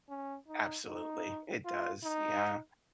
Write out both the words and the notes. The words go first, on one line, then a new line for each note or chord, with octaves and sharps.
Absolutely, it does, yeah.
C#4
D#4
D#4
F4
D#4